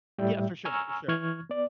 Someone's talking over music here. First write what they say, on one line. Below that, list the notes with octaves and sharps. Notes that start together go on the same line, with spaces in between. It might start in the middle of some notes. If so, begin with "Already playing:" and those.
Yeah, for sure, for sure.
A2 G3 E5 G5
G#5 A#5 C#6 E6 F6
E3 C#6 F6 G#6
B3 D5